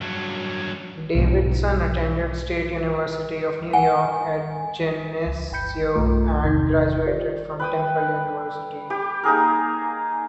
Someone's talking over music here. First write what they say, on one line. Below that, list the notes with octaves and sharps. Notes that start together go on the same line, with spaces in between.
Davidson attended State University of New York at Geneseo and graduated from Temple University.
G2 F#3
B1 G#2
F#5 G#5
C#2
G1 G5 B5 G6 C#7
B1 G2 A3 F4 D6
G1 E2 C3 D#4 G6 G#6
F4 G4 C5 D5
B4 G5 D#6
G4 D6
A#3 D#4 G#4 A#4